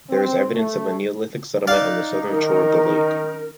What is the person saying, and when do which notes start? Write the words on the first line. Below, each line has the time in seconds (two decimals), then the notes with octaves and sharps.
There is evidence of a neolithic settlement on the southern shore of the lake.
0.10 C4
0.53 A3
1.67 D#4 D5 F5 F#6
2.29 D#3 A#4